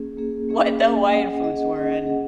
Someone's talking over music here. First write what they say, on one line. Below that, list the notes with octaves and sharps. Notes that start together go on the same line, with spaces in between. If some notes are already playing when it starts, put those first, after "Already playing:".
what the Hawaiian foods were, and,
Already playing: A#3 C#4 G#4
A#3 C#4 G#4
A#3 C#4 G#4
A#3 C#4 G#4
C#4 G#4 D#5 F#5
C#4 G#4 D#5 F#5
C#4 G#4 D#5 F#5
C#4 G#4 D#5 F#5